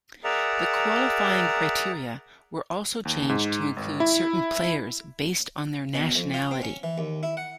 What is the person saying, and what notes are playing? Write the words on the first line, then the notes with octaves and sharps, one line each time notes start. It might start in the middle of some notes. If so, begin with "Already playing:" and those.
The qualifying criteria were also changed to include certain players based on their nationality.
G#4 A#4 D5 E5 F#5 A#5
D#2
G#2
G#1
E4
B2
F2
F4
C4
C#4
E3
D#2
E4
F#5